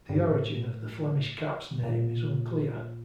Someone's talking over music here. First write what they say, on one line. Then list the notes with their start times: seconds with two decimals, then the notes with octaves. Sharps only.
The origin of the Flemish Cap's name is unclear.
0.09 G2
0.31 A2
1.83 A#2